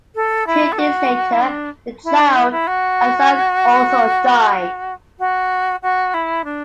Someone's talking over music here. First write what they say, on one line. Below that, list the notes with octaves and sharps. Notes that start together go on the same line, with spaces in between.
Two days later the child, a son, also died.
A4
E4
A4
F#4
E4
D4
E4
D4
E4
E4
F#4
F#4
F#4
E4
D4